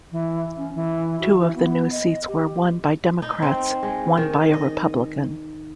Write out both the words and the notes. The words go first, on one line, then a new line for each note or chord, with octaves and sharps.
Two of the new seats were won by Democrats, one by a Republican.
E3
C#4
E3
F#4
E3
B3
D#5
G4
D#4
C4
G#3
D#3
D#5